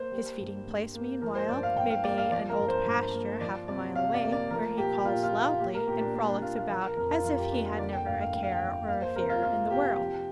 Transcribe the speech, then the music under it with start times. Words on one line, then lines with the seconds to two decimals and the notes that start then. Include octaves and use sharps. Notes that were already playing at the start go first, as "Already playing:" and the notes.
His feeding place meanwhile may be an old pasture half a mile away, where he calls loudly, and frolics about as if he had never a care or a fear in the world.
Already playing: A#3 C5
0.12 G3
0.40 G2
0.67 G2
0.94 A#3
1.22 F3 A#4
1.35 C5
1.49 G2 D5
1.63 F5
1.76 G2 G5
1.90 F5
2.04 A#3 D5
2.18 F5
2.31 F3 D5
2.49 A#4
2.59 G2
2.68 C5
2.86 G2
3.14 A#3
3.41 F3 D5
3.68 C3 D5
3.96 C3 F5
4.14 D5
4.23 A#3
4.32 D5
4.51 F3 A#4
4.78 A#2 G4
5.05 A#2 F4
5.23 F4
5.33 A#3
5.41 F4
5.60 A#3 G4
5.74 A#4
5.87 A#2 G4
6.01 D4
6.14 A#3 D4
6.29 D4
6.42 A#2 F4
6.56 F4
6.69 F3 A#4
6.83 A#4
6.96 F2 A#4
7.11 F4
7.24 F2 F4
7.38 G4
7.52 A#3 D4
7.66 F4
7.79 D3 D5
7.93 G5
8.06 G2 F5
8.20 F5
8.33 G2 G5
8.43 F5
8.52 G5
8.61 F3
8.88 A#3 F5
9.02 C5
9.16 C3 A#4
9.30 F4
9.43 A#3 F4
9.71 C3 G4
9.98 F3